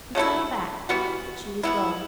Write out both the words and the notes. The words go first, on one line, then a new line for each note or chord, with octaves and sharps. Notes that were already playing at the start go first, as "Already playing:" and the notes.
He turned back, but she was gone.
C#3 F#3 A3 E4
E3 G3 B3 F#4
E3 B3 E4